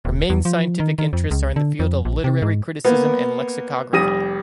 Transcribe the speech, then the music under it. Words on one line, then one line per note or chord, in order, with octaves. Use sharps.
Her main scientific interests are in the field of literary criticism and lexicography.
D#1
E2
F3
D#3
D#3
F2
C#2
D3
F2
A#1
C3
G#2
A#3 B3
F1 G3 D#6 A#6 D#7